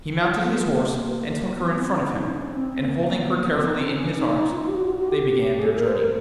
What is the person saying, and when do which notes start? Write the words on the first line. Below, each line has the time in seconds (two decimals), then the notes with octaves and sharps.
He mounted his horse and took her in front of him, and, holding her carefully in his arms, they began their journey.
0.21 F4
0.44 B3
0.50 A#3
0.55 B3
0.67 A#3
1.57 B3
1.68 B3
1.80 C4
1.92 C#4
2.03 C4
2.13 E4
2.22 D#4
2.31 D4
2.39 C#4
2.47 C4
2.83 A#3
2.93 B3
3.04 A#3
3.15 C4
3.27 B3
3.38 A#3
3.49 C4
3.60 B3
3.72 C4
3.84 C#4
3.96 C#4
4.06 D4
4.17 D#4
4.28 D#4
4.52 F4
4.68 G4
4.74 F#4
4.86 F4
4.97 F#4
5.08 G4
5.59 G#4
5.65 A4
5.76 A#4
5.87 C5
5.99 A#4